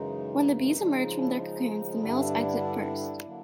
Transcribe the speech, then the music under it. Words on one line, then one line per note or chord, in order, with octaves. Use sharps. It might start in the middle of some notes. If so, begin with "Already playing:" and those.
When the bees emerge from their cocoons, the males exit first.
Already playing: F#2 C#3 E3 G#3 D#4
C#3 F3 G#3 D4
D#4
D4 E4
D#4
G2 D3 G3 D4 E4
D3 F#3 A#3